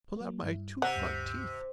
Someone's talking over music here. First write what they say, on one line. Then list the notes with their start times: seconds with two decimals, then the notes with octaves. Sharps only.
Pull out my two front teeth!
0.17 F#3 A#3
0.43 G2 E4
0.82 C3 F#5 A#5 D6
0.96 D2 G2